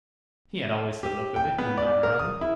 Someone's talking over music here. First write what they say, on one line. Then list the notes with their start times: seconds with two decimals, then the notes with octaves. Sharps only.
'He had always the look of it, and the manner of it.'
1.03 G4
1.36 G5
1.58 B3
1.78 D5
2.03 A#4
2.19 D#6
2.41 E4